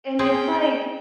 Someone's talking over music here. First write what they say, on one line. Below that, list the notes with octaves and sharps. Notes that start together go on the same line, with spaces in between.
and it's like,
C4 C#4 G#4 G5